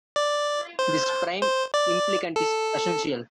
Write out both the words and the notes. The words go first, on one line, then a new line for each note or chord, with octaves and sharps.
This prime implicant is "essential".
D5
C5
C5
D5
A4